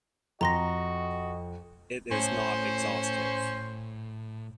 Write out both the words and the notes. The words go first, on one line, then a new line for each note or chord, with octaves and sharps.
It is not exhaustive.
F2 F#4 D#5 A#5 C6 A#6
A2 C#4 C5